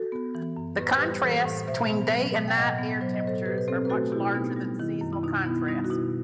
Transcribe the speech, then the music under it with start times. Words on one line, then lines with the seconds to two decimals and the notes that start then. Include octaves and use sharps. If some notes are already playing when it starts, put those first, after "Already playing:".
The contrasts between day and night air temperatures are much larger than seasonal contrasts.
Already playing: F#4 A4
0.12 B3
0.35 E3
0.57 F#2
0.79 A2 B4
0.88 C5
0.97 G3 G4 B4
1.23 E3 A4 C5
1.46 A2
1.68 B2 C5 E5
1.90 B3
2.12 F#3
2.35 B2
2.48 G5
2.57 A2 D#5 F#5
2.79 B3
3.01 F#3 C5
3.14 D#5
3.24 A2 A4 C5
3.45 B2 G4 B4
3.58 B4
3.68 C4 A4 C5
3.85 B4
3.90 A3 F#4 A4
4.12 B2 E4 G4
4.34 B3 D#4
4.56 G3
4.79 D#3 E4
5.01 F#2
5.13 E4
5.24 B2 D#4
5.46 B3 E4
5.68 G3 D#4
5.85 F#4
5.90 B2 E4